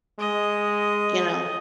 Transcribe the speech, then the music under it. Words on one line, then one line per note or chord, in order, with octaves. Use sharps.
You know?
G#3 D#5